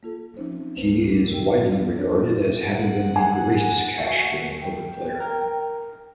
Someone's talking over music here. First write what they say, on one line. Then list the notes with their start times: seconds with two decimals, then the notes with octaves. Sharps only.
He is widely regarded as having been the greatest cash game poker player.
0.03 A#3 F4 A4
0.37 F3 C4 C#4 D#4 C5
0.76 D2 A#3 C4 B4 C5
1.12 D#4
1.30 A#2 D#3 A#4 G5
1.96 D4 B4 C#5
2.69 F#5
3.16 G#5
3.95 A3 F#4
4.61 G5
5.20 A#4